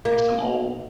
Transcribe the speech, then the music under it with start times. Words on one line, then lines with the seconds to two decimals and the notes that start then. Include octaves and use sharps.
Like, some old
0.05 A#3